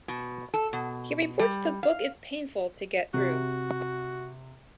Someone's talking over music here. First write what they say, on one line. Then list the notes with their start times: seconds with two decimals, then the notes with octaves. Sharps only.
He reports the book is painful to get through.
0.08 B2
0.54 A4
0.73 B2
1.40 G3
1.83 F5
3.14 C3 F#4